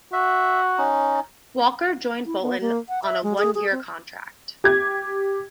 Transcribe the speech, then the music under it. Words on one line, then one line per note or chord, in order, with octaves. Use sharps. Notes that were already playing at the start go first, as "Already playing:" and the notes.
Walker joined Bolton on a one-year contract.
F#4 E5
C#4 D#4
E4
B3
A#3
F#5
E5
G#3
G#4
G#4
C4
G4 G#6